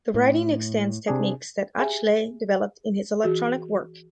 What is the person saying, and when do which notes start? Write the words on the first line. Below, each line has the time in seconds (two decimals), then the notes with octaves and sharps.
The writing extends techniques that Atchley developed in his electronic work.
0.14 A2
1.08 C3 D4 G#4
1.78 G4 G#4 E5 G#5
3.23 E3 F#4 G#4